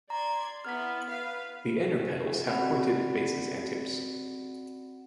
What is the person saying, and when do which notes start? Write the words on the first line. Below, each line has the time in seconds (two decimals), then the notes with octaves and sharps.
The inner petals have pointed bases and tips.
0.10 D5 A#5 C6 G#6
0.65 B3 E4 F6 B6
1.10 B4 F5
2.46 C4 C#4 F#4 D5 F#5 B5